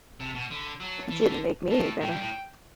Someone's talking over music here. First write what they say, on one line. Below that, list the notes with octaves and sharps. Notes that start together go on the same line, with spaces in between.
It didn't make me any better.
C3 A5
B2
D3 B5
F#3 A5
E3
E3
D3
A2 A5
A2 G5
G2
A2